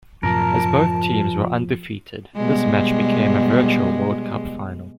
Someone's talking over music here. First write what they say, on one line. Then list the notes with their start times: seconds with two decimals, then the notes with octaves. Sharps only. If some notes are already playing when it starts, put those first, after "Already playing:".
As both teams were undefeated this match became a virtual World Cup final.
0.23 F#2 A2 C3 F3 A#4 A5
2.37 B2 G3 G#3